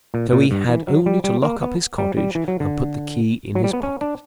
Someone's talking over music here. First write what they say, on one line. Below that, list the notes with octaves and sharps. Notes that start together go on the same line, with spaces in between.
So he had only to lock up his cottage and put the key in his pocket.
A#2
A#2
G2
E3
F#3
G3
G3
A#3
B3
G3
G3
E3
F#3
D3
F#3
G3
B3
C#4
D4